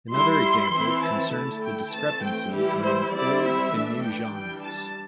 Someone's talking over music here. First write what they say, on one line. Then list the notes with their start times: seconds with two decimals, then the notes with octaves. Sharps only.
Another example concerns the discrepancy among "old" and "new" genres.
0.13 G3 E4 C6
0.73 E3 C4 E4
1.03 A5
1.33 D3 A3 E4
1.63 G5
1.93 E3 A3 C4 A5
2.23 G5
2.53 E3 G3 E4 G4
2.84 C5
3.14 G3 C4 E4 D5
3.44 E5
3.74 E3 A3 D4
4.04 G5
4.34 E3 G3 D4 G5
4.64 A5